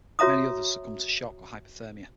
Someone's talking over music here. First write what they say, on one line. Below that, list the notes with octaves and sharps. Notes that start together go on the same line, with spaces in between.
Many others succumbed to shock or hypothermia.
F#4 C#5 E5 A#5 D#6